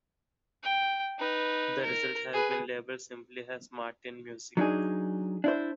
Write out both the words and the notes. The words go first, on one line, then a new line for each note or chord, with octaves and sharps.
The result has been labeled simply as Martin Music.
G5
D#4 B4
A#4
G#4 B4
F#3 D4 D#4 G#4
D4 E4 C5